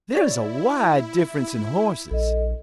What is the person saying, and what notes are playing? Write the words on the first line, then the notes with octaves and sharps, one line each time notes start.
There is a wide difference in horses.
E4 C#5 D5
A#1 A4 D#5